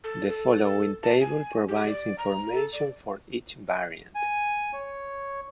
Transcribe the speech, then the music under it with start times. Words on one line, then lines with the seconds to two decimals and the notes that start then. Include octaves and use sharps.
The following table provides information for each variant.
0.04 A4
0.29 A4
0.63 A4
1.03 A5
1.21 G#5
1.68 G4
1.86 D5
2.19 A#5
2.54 A4
2.73 D5
4.15 G#5
4.73 C#5